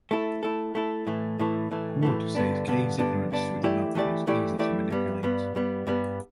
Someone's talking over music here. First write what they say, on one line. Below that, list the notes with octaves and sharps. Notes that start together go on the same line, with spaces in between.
Wood says Kaye's ignorance through the novel is easy to manipulate.
A3 E4 A4
A3 E4 A4
A3 E4 A4
A2 E3 A3
A2 E3 A3
A2 E3 A3
A2 E3 A3
G2 D3 B3 D4
G2 D3 B3 D4
G2 D3 B3 D4
G2 D3 B3 D4
E3 A3 E4 G4 D5
E3 A3 E4 G4 D5
E3 A3 E4 G4 D5
E3 A3 E4 G4 D5
G2 G3 B3
G2 G3 B3
G2 G3 B3
G2 G3 B3